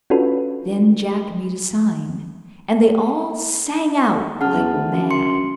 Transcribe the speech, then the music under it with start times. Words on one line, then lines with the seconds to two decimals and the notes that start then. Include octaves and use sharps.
Then Jack made a sign, and they all sang out like mad.
0.10 C#4 D4 F4 F#4 A4 B4
4.41 C#3 F#5 A5 F6
4.54 E2
4.73 D2
4.92 F#2
5.10 C6 C#7